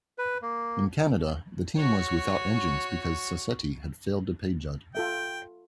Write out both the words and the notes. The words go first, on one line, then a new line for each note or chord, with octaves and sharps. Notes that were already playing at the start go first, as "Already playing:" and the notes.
In Canada the team was without engines because Sassetti had failed to pay Judd.
B4
A#3
F#4 C#5
F4 A4 E5 G5